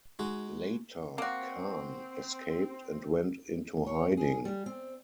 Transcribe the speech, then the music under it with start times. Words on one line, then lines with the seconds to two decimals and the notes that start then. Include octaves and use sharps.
Later Khan escaped and went into hiding.
0.19 G#3 D#4 F#4
1.18 A#3 C4 F#4
3.87 C#5
4.17 G#4
4.45 G3
4.66 C4